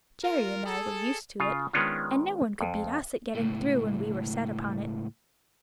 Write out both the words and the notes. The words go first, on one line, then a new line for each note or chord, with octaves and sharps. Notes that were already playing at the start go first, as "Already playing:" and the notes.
Jerry and I were used to it, and no one could beat us at getting through when we were set upon it.
F4 A#4
G#4 A4
C#3 F4
D#3 G#3 B3 C#4 D4 F4
F2
C#2 A2